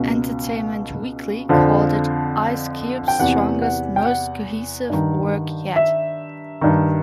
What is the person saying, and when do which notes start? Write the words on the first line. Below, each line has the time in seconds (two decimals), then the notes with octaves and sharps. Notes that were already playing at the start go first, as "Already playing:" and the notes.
"Entertainment Weekly" called it "Ice Cube's strongest, most cohesive work yet".
Already playing: C#2 B2
1.49 F2 D3 F3
3.08 G5
3.19 E2 C3 E3 F#5
3.62 F#5
3.96 G5
4.05 F#5
4.90 G2 D#3
5.76 E5
6.61 G2 D#3